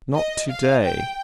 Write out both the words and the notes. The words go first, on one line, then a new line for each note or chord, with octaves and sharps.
"Not to-day."
D#5
F5
G5